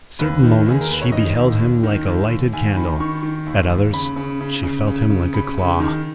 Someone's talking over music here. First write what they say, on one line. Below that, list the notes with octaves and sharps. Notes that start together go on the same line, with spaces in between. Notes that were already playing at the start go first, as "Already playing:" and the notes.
At certain moments she beheld him like a lighted candle; at others she felt him like a claw.
D#2 B4
D#3
D#2 G#4
A#4
D#2 B4
C#5
D#3 D#5
D#2
D#2
D#3
D#2
D#2
D#2 G#5
D#3 B5
D#3 C#6
D#3
D#2
D#2
C#3 B5
C#3
C#3
C#3
C#3
C#3
C#3 B5
C#3
D#3